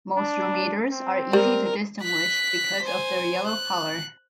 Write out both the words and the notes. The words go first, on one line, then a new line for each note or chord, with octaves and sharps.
Most Dromaders are easy to distinguish because of their yellow color.
D4
C4
G3 A#4
F#6 B6
C5 G#5
F#6